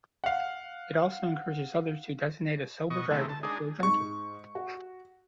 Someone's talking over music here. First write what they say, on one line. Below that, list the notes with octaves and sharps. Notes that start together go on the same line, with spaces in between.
It also encourages others to designate a sober driver before drinking.
F5 F#5
B2 D#5 C#6
C3 D#3 E3 G#3 A3
A5
G#3 D4 D#4 G#4
G#2 C#6
F#4